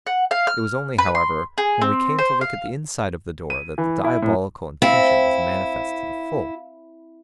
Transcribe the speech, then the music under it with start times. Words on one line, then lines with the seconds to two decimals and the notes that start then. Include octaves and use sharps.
It was only, however, when we came to look at the inside of the door that the diabolical intention was manifest to the full.
0.07 F#5
0.31 F5
0.47 F6
0.98 B4
1.15 C6
1.58 G#4
1.81 C4
2.18 C5
2.41 F5
3.50 D#7
3.78 E3
4.04 E4
4.22 A2
4.82 C4 E4 F5